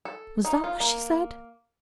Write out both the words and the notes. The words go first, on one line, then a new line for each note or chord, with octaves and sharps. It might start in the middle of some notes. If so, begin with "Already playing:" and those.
Was that what she said?
A4
D#4
F4
A#3